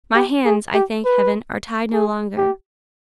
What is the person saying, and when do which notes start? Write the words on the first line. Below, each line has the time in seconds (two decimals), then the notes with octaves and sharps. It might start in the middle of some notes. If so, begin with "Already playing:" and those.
My hands, I thank Heaven, are tied no longer.
0.15 G4
0.45 G#4
0.74 G4
1.05 B4
1.93 G#4
2.38 G4